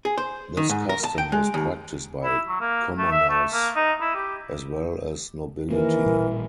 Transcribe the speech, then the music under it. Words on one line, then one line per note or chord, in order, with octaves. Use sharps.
This custom was practised by commoners as well as nobility.
G#4
C5
D#3
G#2
A#4
A5
G5
G#3
D#2
E4
F#3
A#3
A3
E5
A3
A#3
D#4
E4
G4
D#3 E3 A#3 A#4
A1 A#2 G3